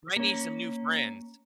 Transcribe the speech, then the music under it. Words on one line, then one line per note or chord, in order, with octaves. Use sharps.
Might need some new friends.
A#3 C#4